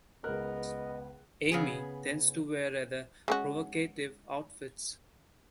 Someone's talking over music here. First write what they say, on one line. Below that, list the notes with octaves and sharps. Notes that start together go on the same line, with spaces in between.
Amy tends to wear rather provocative outfits.
C#2 B3 A#4 D#5 F#6
C#3 B3 G#4
G#3 C#4 F#4